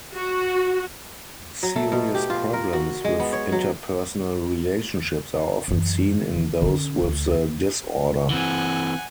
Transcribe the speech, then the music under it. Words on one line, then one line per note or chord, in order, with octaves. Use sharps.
Serious problems with interpersonal relationships are often seen in those with the disorder.
F#4
F#3
A3
B2
G4
F4
A#4
F#4
G#3
B3
C#5
F#3
F#2 E3
D#3
D3 C#4
D2
E3 C4 F#5 G#5